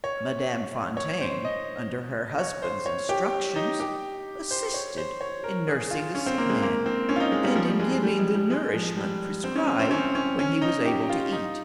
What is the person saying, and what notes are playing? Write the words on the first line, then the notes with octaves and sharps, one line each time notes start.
Madame Fontaine, under her husband's instructions, assisted in nursing the sick man, and in giving the nourishment prescribed when he was able to eat.
C#5
C#5
C5
D#5
C#5
C5
C#5
G4
D#4
G4
C5
C#5
C5
C#5
A#4
G#4
F4
C#4
C4
A#3
G#3
A#3
C4
C#4
F4
D#4
G#3
G3
F3
G3
G#3
G#3
G3
G#3
G3
G#3
F3
G3
C4
C#4
C#4
C4
C#4
C#4
C#4
D#4
G4
F4
D#4